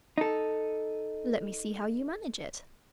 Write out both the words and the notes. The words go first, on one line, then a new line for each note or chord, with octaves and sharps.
'Let me see how you manage it.'
D#4 A4